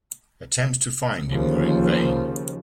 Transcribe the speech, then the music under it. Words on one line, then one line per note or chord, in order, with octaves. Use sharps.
Attempts to find him were in vain.
D#2 C#3 F3